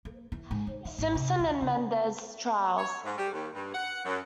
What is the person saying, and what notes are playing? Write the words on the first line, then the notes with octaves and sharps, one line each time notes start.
Simpson and Menendez trials.
A#3
E3
G#2
D#3
D#3
G#1
C3
D2
C#3
C#5
G#2
G3
D#2
G2
F#5
F#2